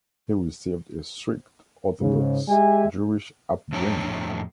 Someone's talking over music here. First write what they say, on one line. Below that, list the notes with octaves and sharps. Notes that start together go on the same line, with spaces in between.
He received a strict Orthodox Jewish upbringing.
G#2 C#3
G#3 G4 E5 G#5
F2 A2 D4 C#5 G5 A#5